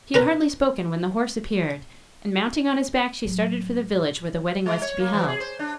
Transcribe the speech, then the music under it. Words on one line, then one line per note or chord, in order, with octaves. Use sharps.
She had hardly spoken when the horse appeared, and mounting on his back she started for the village where the wedding was to be held.
C#4 A#4 B4 A#5
A2 F#3
G#3
C#5
A#3
E3
G#4
C5
D4